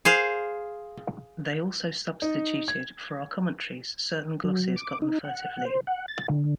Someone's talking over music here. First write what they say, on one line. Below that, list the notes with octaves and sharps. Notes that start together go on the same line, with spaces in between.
They also substituted for our commentaries certain glosses gotten furtively.
G#4 C5 F5
D#4
G#6
F#3
D6
D#4
F#5
C5
F#5
A6
D3